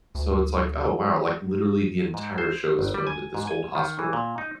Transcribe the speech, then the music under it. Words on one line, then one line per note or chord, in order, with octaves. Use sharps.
so it's like, oh wow, like literally the entire show was filmed at this old hospital.
D2
G#2
C5
G1
G3
G#5
G#2
G#5
D#3
E3
A#2
D#4